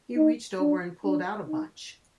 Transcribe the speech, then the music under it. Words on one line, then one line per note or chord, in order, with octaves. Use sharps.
He reached over and pulled out a bunch.
D#4
D4
D4
D#4